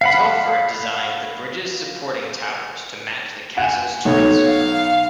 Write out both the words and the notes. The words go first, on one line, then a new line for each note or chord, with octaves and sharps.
Telford designed the bridge's supporting towers to match the castle's turrets.
F5 F#5 B5
F#5 G#5
B1 C#5
F5